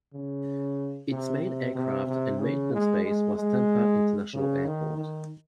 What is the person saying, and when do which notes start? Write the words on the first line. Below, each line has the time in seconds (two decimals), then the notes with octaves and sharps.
Its main aircraft and maintenance base was Tampa International Airport.
0.14 C#3
1.10 C3
1.43 C3
1.75 C3
2.07 C3
2.39 C#3
2.72 G#3
3.04 G#3
3.36 G#3
4.34 C#3
4.65 D#3
4.97 D#3